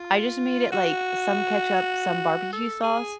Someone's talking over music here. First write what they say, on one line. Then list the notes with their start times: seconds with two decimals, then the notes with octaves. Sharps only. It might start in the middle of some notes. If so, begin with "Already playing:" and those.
I just made it, like, some ketchup, some barbecue sauce.
Already playing: F4
0.72 F#4
2.53 A4
2.83 G#4